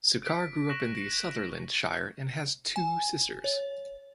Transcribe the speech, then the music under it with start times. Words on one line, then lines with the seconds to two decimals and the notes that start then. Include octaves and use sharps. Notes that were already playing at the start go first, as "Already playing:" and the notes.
Sukkar grew up in the Sutherland Shire and has two sisters.
0.23 B6 D7
0.69 C#6 F#6 A#6 E7 F#7
2.76 G#5
3.44 C#5